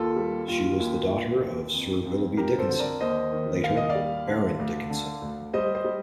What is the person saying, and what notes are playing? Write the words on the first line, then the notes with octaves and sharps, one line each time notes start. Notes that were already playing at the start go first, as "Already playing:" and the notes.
She was the daughter of Sir Willoughby Dickinson, later Baron Dickinson.
Already playing: D#2 F4 A4
G3
D#2 F4
D#2
D#2
D#2
F2
F2
F2 G4 A#4
A4 C5
D3
A#4 D5
D#2 C5 D#5
D#3
D#2 F5
D#5
D5 F5
G3
D3
D2
D3
D2
G3 C5 D#5
C5 D#5
G3